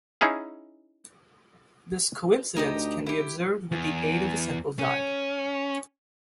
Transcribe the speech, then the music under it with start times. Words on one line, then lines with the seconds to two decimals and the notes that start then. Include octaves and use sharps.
This coincidence can be observed with the aid of a simple dial.
0.21 C#4 D#4 E4 G#4 F5
2.56 D2 D#4 G4 D#5
3.06 E4 G4
3.72 E2
4.79 C#4